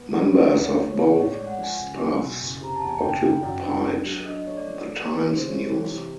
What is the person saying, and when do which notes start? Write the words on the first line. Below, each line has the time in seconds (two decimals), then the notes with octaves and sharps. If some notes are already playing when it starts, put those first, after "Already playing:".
Members of both staffs occupied the Times-News.
Already playing: B3
0.14 G#3
0.24 C#5
0.35 F3
0.55 D2 C#5
0.76 F3
0.86 C#5
0.96 C#3
1.17 A2 C#5
1.33 G#3 D5
1.47 F#5
1.58 F3
1.63 G#5
1.78 C#2
1.99 F#3
2.19 B2
2.41 F#1
2.61 C3 A#5
2.76 A5
2.82 E2
2.89 G#5
3.02 F#1 G5
3.22 D#3
3.43 F#2
3.64 D4
3.84 B3
4.05 F#3
4.25 D4 D#5
4.47 A3 C#5
4.57 D5
4.67 F3
4.87 A3
5.08 E3
5.29 C#3
5.37 C5
5.49 G#3 C#5
5.70 E3
5.90 C3